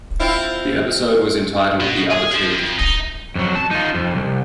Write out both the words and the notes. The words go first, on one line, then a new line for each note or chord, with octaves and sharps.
The episode was entitled "The Other Cheek".
C4 E4 F4
B2
G#4
F3
F2
D#4
F2 F#3
A5
D#4 F4
F2
C2